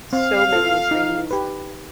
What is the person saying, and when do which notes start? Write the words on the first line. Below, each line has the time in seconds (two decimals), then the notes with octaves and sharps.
so many trees,
0.13 C4 F5
0.52 F4 A4
0.91 D#4
1.31 G4 B4